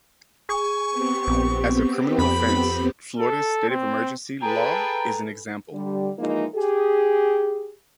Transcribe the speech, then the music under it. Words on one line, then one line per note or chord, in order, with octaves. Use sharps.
As a criminal offense, Florida's "state of emergency" law is an example.
G#4 G#5 C#6
B3 C4 G4
A#1
F2 B5
A4
C4
G#4 A4 B4 G5 A#5
D3 G3
E3 F3 G#3 A#3 D#4
G4 G#4